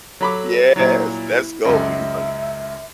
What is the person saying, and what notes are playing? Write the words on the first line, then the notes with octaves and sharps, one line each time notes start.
Yes. Let's go. You hu
F#3 A4 B5 D6
A#2 F#3 E4
C#2 F#2 E5